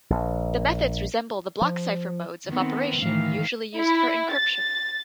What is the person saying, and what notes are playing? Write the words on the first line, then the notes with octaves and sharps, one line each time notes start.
The methods resemble the block cipher modes of operation usually used for encryption.
A#1
F3
D#3 B3 C4
D2 A2 D#3 E3 F5
E4
A6